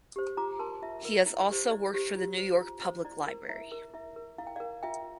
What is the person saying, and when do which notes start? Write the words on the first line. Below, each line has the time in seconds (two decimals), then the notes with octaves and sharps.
He has also worked for the New York Public Library.
0.16 G4 C5
0.37 F4 A#5 D6
0.59 A#4 A5 C6
0.82 F4 E5
1.05 A#4
1.26 E4
1.50 G4 C5
1.71 E4 D5
1.94 G4 C5
2.16 F4
2.38 C5
2.60 F4
2.83 C5
3.05 E4 D5
3.27 A#4
3.49 E4 E5
3.72 A#4
3.94 E4 E5
4.16 A#4
4.38 E4 F5
4.47 G5
4.56 A#4 D5 F5
4.83 F4 E5 G5